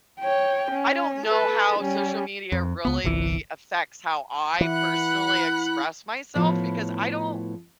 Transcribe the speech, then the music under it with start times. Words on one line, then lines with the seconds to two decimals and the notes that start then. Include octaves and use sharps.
I don't know how social media really affects how I personally express myself, because I don't
0.20 C#5 G5
0.72 C#4
1.27 A4 B4
1.79 G3 C#4
2.52 F2
2.85 C#2 B3
3.04 G1 C2 E3
4.61 E3 F#5 B5 F#6
6.35 A2 F3 B3 E4